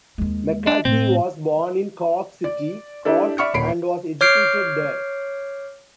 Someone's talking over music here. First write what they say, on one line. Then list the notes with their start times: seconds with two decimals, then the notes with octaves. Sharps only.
McCarthy was born in Cork City, Cork, and was educated there.
0.18 D#2 G#3
0.67 D4
0.85 A2 C4
2.44 D5
3.05 D4 E4 G4 A4 D5
3.38 D5 E5 B5 C#6 F6 C#7
3.54 D#1 C#5 B5 C7 D7
4.21 C#5 D6 F6 G6 C7 D7